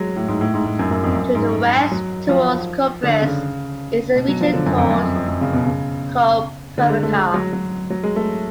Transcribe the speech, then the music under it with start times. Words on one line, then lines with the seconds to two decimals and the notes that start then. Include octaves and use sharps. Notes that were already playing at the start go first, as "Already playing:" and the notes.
To the west towards Kupres is a region called Koprivica.
Already playing: F#3 G#3
0.16 A2
0.28 G#2
0.41 A2
0.54 G#2
0.66 G#2
0.79 F#2
0.91 F#2
1.04 F2
1.15 F#2
1.35 G#2
1.92 F#3
2.28 F3
3.03 D3
3.22 C#3
4.16 B2
4.28 F#3
4.41 F3
4.53 D3
4.66 F#2
4.78 F2
4.91 F#2
5.03 F2
5.16 F2
5.28 F#2
5.41 C#3
5.53 B2
5.66 C#3
6.78 D3
6.90 G#3
7.03 A3
7.15 G#3
7.34 F#3
7.53 F#3
7.90 F#3
8.03 G#3
8.16 A3